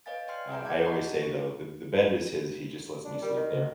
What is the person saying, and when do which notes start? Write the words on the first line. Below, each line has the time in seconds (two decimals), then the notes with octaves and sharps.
uh, I always say, though, "The the bed is his, he just lets me sleep there."
0.06 B4 C#5 D#5 F5 G#5 A6
0.28 D5 G5 C6 F6 C7
0.49 G#4 B4 C#5 G#5 A#5 G6
0.64 A5 A#5 D6 G6 G#6
0.85 D#5 F#5 A5 C#6
3.05 D4
3.22 G3 A#4
3.36 D#3
3.53 C#3